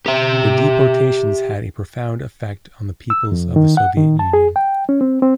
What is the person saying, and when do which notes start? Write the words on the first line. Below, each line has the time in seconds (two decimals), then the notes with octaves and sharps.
The deportations had a profound effect on the peoples of the Soviet Union.
0.06 G4 E5
3.10 E6
3.32 F2
3.56 D#3
3.77 F#5
3.97 D#3
4.19 A5
4.33 G#4
4.56 G5
4.89 C#4
5.01 C4
5.22 C4